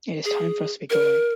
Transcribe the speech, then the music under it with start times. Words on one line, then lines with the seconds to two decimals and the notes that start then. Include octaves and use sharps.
It is time for us to be going.
0.25 G#4
0.90 A#4